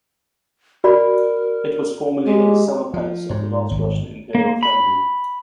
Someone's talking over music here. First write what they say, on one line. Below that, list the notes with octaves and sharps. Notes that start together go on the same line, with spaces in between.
It was formerly a summer palace of the last Russian Imperial family.
F#4 A#4 D5 B5
G#3 G4
F3
G#2
G#1
A#3
B5